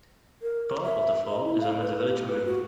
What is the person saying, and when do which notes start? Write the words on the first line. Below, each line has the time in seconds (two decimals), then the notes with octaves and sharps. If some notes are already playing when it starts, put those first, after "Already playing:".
Part of the fort is under the village green.
0.42 A#4
0.83 E5
1.30 D#5
1.44 E4
1.60 F5
1.81 B4
2.09 G4
2.28 B4
2.45 F#4